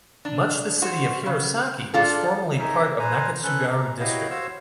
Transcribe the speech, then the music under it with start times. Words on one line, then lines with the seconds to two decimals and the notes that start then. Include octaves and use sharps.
Much the city of Hirosaki was formerly part of Nakatsugaru District.
0.25 D4
0.82 F#4 C5
1.26 C#3
1.94 D4 F4 A4
2.59 D#4 G#4 A#4 C#5 D#5 E5
2.99 B4 C5 G#5 A#5
3.43 C#4 A4 B4 F#6
3.71 A#5
4.00 E4 F#4 G4 C#5 D#5 F5
4.30 F#4 C5 C#5 F5 E6